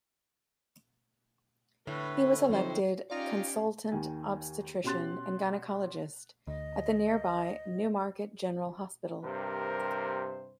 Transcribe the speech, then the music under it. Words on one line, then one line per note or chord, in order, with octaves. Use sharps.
He was elected consultant obstetrician and gynaecologist at the nearby Newmarket General Hospital.
A2 D3 B4
F3 F#3 C4 D#4 C5
C#4 D#4 F4 G4 D5 F5
D#2 D#3 G#5
B2 C#4 G4 C6 F#6 A6
D2 D#5
G2 C3 A#4 C5